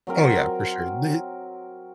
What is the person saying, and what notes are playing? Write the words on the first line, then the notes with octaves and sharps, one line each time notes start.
Oh, yeah, for sure. The
F#3 C4 A#4 F5